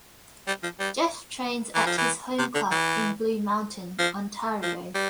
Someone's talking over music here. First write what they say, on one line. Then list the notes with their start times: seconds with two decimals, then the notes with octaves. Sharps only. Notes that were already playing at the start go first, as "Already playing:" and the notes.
Jeff trains at his home club in Blue Mountain, Ontario.
0.47 G3
0.63 F3
0.80 G3
1.75 E3
1.86 F3
1.98 E3
2.39 C3
2.55 D3
2.71 E3
3.99 F3
4.62 F3
4.95 G3